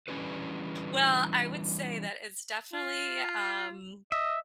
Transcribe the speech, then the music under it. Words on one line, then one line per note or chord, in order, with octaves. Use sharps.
Well, I would say that it's definitely um,
E3 G3 C#4 D4 F#4 B4
F4
D#5 E5